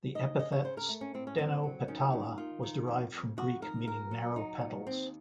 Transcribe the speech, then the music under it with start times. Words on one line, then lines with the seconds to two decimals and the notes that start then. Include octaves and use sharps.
The epithet ""stenopetala"" was derived from Greek meaning narrow petals.
0.15 D#2 D#5
0.39 C#3 D#5
0.52 C#5
0.64 C#3 C5
0.77 A#4
0.89 A3
1.01 C#4
1.14 A2 C4
1.27 C#4
1.38 F#3 C4
1.63 F#3
1.88 D#3 C#4
2.13 D#2
2.38 D#3 F4
2.63 D#3
2.88 F2
3.12 F2
3.37 F2 F#4
3.62 D#3 A#4
3.87 A#2 A#4
4.11 F#3
4.36 F#3 D#4
4.61 A#2
4.86 D#2 C4